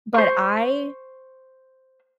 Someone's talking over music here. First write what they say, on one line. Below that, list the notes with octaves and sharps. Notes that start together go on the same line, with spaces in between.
but I
C5 C#6